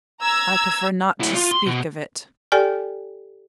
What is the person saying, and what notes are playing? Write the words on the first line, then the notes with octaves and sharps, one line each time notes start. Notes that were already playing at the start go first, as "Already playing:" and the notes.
I prefer not to speak of it.'
A#5 E6 G#6
D2 E4
F4
C6
B2
G4 A4 D5 G5 G#5 F6